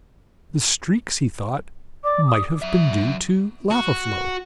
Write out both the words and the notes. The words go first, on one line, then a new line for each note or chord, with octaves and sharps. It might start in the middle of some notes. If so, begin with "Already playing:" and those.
The streaks, he thought, might have been due to lava flow.
D5 D6
D#6
F#3 E5
F#4